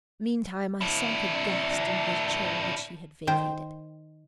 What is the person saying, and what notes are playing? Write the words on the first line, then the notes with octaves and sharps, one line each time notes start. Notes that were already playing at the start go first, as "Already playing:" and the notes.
Meantime I sank aghast into the chair which she had vacated.
D4 E4
D#3 C5 G5